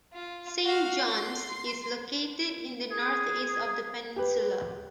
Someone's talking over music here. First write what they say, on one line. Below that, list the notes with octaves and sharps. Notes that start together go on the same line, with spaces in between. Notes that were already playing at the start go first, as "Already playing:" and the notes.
Saint John's is located in the northeast of the peninsula.
F4
F#4 F5
C6
G#4
G4 B4